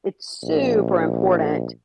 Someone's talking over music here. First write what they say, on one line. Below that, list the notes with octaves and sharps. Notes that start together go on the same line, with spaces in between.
it's super important
A#1